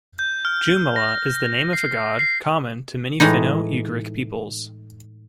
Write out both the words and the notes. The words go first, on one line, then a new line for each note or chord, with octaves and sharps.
"Jomala" is the name of a god common to many Finno-Ugric peoples.
G6
F6
A#6
C7
C7
A2 E3 G#3 D#4